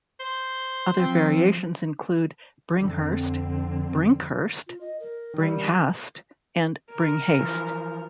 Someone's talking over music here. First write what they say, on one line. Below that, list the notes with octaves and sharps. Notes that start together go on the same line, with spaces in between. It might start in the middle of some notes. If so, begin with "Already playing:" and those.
Other variations include "Bringherst", "Brinkhurst", "Bringhast", and "Bringhaste".
C5
F3 C4
F2 D3 C4
F4
D#5
A#4
D#3 G3
A#4
E3 F3